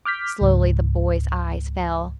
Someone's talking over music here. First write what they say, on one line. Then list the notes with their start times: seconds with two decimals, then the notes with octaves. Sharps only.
Slowly the boy's eyes fell.
0.05 D6 F6 G6 B6
0.41 C#2 G#2